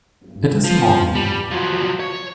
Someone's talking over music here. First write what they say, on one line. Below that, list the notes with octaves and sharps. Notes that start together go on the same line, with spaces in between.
It is morning.
F3
G3
F3 F#3
C#5